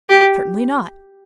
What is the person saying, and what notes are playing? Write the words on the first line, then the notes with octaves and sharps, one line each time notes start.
"Certainly not."
G4